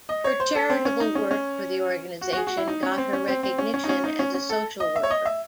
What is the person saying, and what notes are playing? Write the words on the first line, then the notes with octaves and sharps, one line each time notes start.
Her charitable work for the organisation got her recognition as a social worker.
D#5
C#5
C5
A4
C4
C#4
D#4
C#4
C#4
F#4
F#4
G#4
F#4
E4
D#4
C#4
C4
C#4
C4
C4
C#4
C#4
D#4
C#4
D#4
C#4
C#4
A4
D#5
E5
C#5
D#5
E5